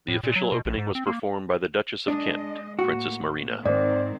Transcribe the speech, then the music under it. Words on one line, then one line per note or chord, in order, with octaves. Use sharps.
The official opening was performed by the Duchess of Kent, Princess Marina.
A2
A#2
F#3
B2
A#1
G#2
C4
A#3
G#3 D4 D#5
A2 A#3 F#4
G#2 D#3 C4 C5 D5